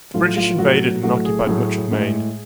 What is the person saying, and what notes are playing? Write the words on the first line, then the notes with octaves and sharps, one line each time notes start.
The British invaded and occupied much of Maine.
A2 F#3 A3 F4
F4
A2 F#3 A3 F#4
A2 F#3 A3 F#4
G#4
A2 F#3 A3
A2 G#3